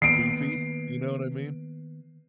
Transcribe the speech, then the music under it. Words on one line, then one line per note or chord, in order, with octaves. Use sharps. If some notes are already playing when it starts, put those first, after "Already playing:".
goofy, you know what I mean?
D#3 A#3 B3 C7 D7